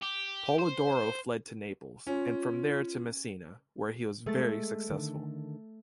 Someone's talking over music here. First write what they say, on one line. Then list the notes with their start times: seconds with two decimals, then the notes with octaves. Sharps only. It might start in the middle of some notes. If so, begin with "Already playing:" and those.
Polidoro fled to Naples, and from there to Messina, where he was very successful.
0.02 G4
0.59 C5
2.07 C#4 F4
4.26 G#3 A3 A6
4.90 D3 D#3